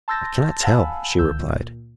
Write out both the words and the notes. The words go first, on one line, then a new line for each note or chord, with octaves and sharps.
"I cannot tell," she replied.
A5 C6 E6 G6 A6 A#6
F5 F#5 G#5 A5 B5 E6
C#2 D#3 E6 G6
A#2